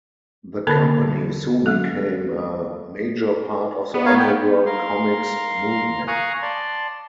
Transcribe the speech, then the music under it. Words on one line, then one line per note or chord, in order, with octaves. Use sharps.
The company soon became a major part of the underground comix movement.
D3 A#3 A4 A#4 A5 B5
F#3 G#3 A4
B3
A#4 C#5 F5
G5
A#4 F5 C6
F5 G#5 A#5 C#6 D#6 F#6
D5 A5 C6